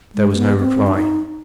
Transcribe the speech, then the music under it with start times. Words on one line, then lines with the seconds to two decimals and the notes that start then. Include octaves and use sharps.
There was no reply.
0.15 G#3
0.31 G#3
0.37 B3
0.60 C4
0.87 D4
0.95 D#4